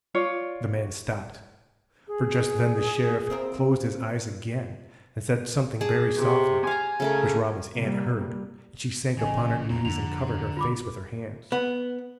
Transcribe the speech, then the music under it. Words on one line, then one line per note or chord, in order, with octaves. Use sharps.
The man stopped, for just then the Sheriff closed his eyes again and said something very softly, which Robin's aunt heard, and she sank upon her knees and covered her face with her hands.
F4 C#5 D5
G#4
C4 F4 A#4
G#4 D5 A5
C3
F5 G#5 A#5
C#3 A3 A#4
C3 G3 A#3
A1 C#3 D#5 G5 G#5
B1 F2 A2 A#3 C4 A#5
F2 D3 F7
F4 B5 D6
B3